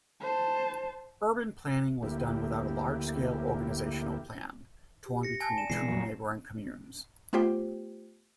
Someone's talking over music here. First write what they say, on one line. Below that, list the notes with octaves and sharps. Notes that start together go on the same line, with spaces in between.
Urban planning was done without a large-scale organizational plan, torn between two neighbouring communes.
C5 A5
D2 A#3 E4 G4
G4
A#6 C#7
G#5 A5
D5 E7
B2 E3 G#3 C7
F1 F#3 G3 A#5
A3 B3 F4 G4 C5 G5